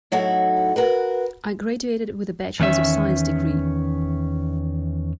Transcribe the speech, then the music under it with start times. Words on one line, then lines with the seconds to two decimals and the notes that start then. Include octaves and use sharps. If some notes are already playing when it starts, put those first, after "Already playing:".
I graduated with a bachelors of science degree.
0.12 A2 F#3 D#4 E4 F#4 A4
0.76 F#4 A#4 B4
2.60 E2 D#3 C#4 E5